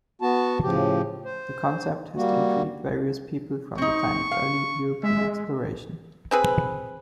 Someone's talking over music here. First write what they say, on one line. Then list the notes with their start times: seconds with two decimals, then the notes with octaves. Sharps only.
The concept has intrigued various people from the time of early European exploration.
0.22 B3 F#4 A5
0.63 A2 C#3 F3 G4
1.25 C5
2.16 G3 A#3 F#4
3.78 C4 D#4 C#6
4.31 F5
5.03 G#3 E5
6.31 C4 G#4 B4